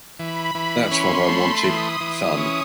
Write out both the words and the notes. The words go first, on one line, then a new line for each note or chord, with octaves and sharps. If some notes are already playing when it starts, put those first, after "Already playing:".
That's what I wanted--fun.
E3 B5
E3
C#4 C6
A3
E3 D#6
E3
C#4